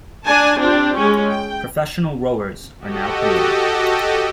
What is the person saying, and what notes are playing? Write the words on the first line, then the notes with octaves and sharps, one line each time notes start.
Professional rowers are now permitted.
D4 G#5 A5
C4 D4 F4 G4
G#3 C#4
G5
F#4 G4 A4 D#5